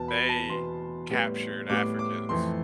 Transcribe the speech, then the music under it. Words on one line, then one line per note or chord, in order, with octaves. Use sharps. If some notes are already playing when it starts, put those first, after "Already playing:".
they captured Africans
Already playing: E2 B2 B3 A5
B5
A5
E2 B2 B3 C6
A2 G3 B3
A2 G3 B3 D6
D6
F2 E3 A3 C6